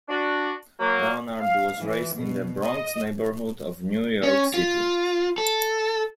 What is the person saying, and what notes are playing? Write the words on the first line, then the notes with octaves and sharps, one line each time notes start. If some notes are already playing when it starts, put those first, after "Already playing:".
Leonard was raised in the Bronx neighborhood of New York City.
D4 F#4
F#3 A#3
F5
E3
B2
D#5
C#4
F4
A4